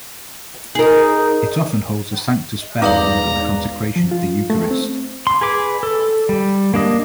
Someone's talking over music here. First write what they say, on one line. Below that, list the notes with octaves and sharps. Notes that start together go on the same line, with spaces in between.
It often holds the Sanctus bell rung at the consecration of the eucharist.
D#4 G#4 A#4
E1 D#4 B4 D5 F5 A#5 D6
F3
F4
A3
C4
C6
G#4 B4 D6
A4
G3
A#3 D4 D#5